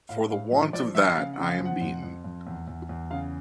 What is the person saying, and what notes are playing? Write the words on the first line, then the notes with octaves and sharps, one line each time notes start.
For the want of that I am beaten.
A2 F5
A2 F5
F3 D#5
F3 D5
F3 E5
C#3 F5
F#5
C#3
F5
F3
F#5
F2
F2
F2
E2
E2
E2
C#3 F5